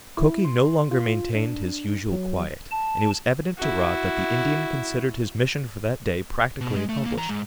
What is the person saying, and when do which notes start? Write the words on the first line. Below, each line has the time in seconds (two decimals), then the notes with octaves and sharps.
Mukoki no longer maintained his usual quiet, and it was evident to Rod that the Indian considered his mission for that day practically accomplished.
0.17 E4
0.45 C6
0.91 F4
1.35 D4
2.12 F#3
2.71 A5
3.57 E4 F#4
6.61 B2
6.76 G#3
6.89 A3
7.04 D#2 A#3
7.17 E3 A#5
7.29 G#2